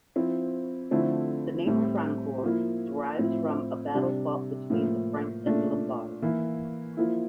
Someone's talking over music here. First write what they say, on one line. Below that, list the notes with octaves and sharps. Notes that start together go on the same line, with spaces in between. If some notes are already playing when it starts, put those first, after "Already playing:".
The name Refrancore derives from a battle fought between the Franks and Lombards.
F3 C4 E4
D3 F3 A3 C4 E4
A2 G3 C4
F3 A#3 E4
A2 F3 C4 E4
C3 G3 D4
A2 F3 A#3
A#2 A3 D4
E3 A#3 E4
F3 A#3 E4